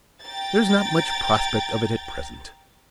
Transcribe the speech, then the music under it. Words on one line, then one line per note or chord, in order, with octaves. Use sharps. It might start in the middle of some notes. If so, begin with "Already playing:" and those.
There is not much prospect of it at present.
G5 A#5 A6